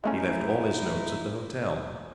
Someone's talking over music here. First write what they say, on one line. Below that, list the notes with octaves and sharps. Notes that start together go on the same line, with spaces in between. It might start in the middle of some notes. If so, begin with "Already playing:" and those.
He left all his notes at the hotel.
G#3 A3 C#4 D#4 E4